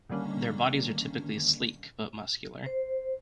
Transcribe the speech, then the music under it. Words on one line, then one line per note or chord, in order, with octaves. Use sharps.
Their bodies are typically "sleek" but muscular.
D3 D#3 G3 A#3 C#4 D4
C5